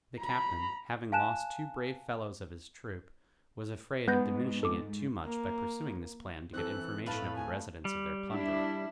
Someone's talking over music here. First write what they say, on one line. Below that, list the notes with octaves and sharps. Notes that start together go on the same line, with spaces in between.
The captain, having lost two brave fellows of his troop, was afraid of diminishing it too much by pursuing this plan to get information of the residence of their plunderer.
A#5 B5
F5 G#5 A5 F#6 E7
G#2 G#3 B3 F#6 G6 A#6
A4 D6
A#3
E3 C4 A4 F#6
A2 B4 F5 A5 B5
G#5
G3
D4 E4